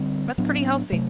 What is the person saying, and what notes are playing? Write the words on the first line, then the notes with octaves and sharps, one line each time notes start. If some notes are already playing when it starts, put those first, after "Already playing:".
that's pretty healthy.
Already playing: D3 G3 C4
A2 F#3 B3 D4
C3 F#3 A3